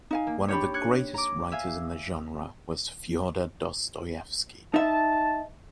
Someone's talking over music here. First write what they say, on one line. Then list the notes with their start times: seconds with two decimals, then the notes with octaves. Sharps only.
One of the greatest writers of the genre was Fyodor Dostoyevsky.
0.11 D#4 F5 G#5
0.27 A#3
0.48 D4 D#4 G4 C#5 B5
0.74 F#6 G#6 C#7
1.14 A#5 D6
1.52 E5 F5 G#5
4.74 D#4 E5 A5